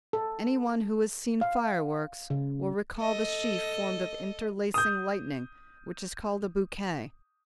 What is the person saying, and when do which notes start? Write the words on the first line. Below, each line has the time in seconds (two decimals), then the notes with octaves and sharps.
Any one who has seen fireworks will recall the sheaf formed of interlacing lightnings which is called a bouquet.
0.13 A4
1.41 F5
2.30 C#3
2.98 A4 D#5
4.74 D#6 G6